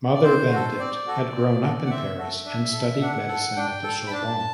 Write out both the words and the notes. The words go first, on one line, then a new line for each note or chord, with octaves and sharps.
Mother Benedict had grown up in Paris and studied medicine at the Sorbonne.
D5
C4 C5
F#4 A4
C4 D5
F#4 A4
C4
F#4 A4
F#5
C4 E5
F#4 A4
D4
A4
D4 F#5
A4
D4 G5
A4
B5
D4 A5